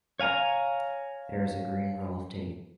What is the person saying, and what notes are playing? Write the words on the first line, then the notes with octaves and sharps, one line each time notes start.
There is a green roll of tape.
C#5 F5 G#5 A#5